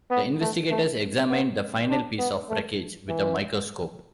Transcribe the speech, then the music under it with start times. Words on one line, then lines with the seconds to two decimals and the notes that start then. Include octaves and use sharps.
The investigators examined the final piece of wreckage with a microscope.
0.11 B3
0.41 A3
0.71 A3
1.30 B3
1.89 D4
2.19 B3
2.49 A3
3.09 E3